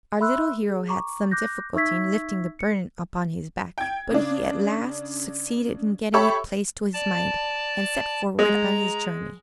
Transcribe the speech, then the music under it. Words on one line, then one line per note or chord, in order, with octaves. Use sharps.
Our little hero had some difficulty in lifting the burden upon his back; but he at last succeeded in getting it placed to his mind, and set forward on his journey.
E5 B5 C6 E6 F#6
G#4
A#5 C#6 D6
D6 F#6 G6 A#6
D#4 E5 C#6 E6 G#6 B6
C#7
G5 G#6
C#3 D4
G4 A4 C#5 E5 B5 C#6
D5 A5
G#3 A#5